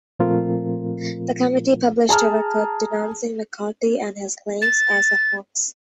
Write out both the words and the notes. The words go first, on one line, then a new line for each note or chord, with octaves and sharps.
The committee published a report denouncing McCarthy and his claims as a hoax.
A#2 F3 A3 C4 F4 A#4
G#4 A5 A#5 F6
A6